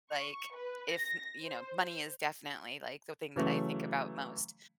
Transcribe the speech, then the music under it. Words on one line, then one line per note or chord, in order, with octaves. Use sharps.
like, if you know, money is definitely like the thing that I think about most.
C#6
B4
A#6
C5
C#3 E3 F#3 A3